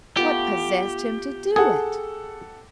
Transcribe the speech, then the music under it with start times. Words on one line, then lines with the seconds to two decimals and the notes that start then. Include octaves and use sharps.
What possessed him to do it?
0.17 A3 B3 F4 G4
1.56 G#4 A4 F#5